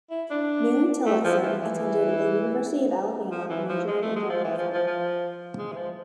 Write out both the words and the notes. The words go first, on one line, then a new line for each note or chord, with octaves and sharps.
Mary Tillotson attended the University of Alabama majoring in journalism.
E4
D4
A3
F3
E3
E3
F3
E3
F3
G#3
A3
G#3
F3
E3
F3
F3
F3
G#3
E3
F3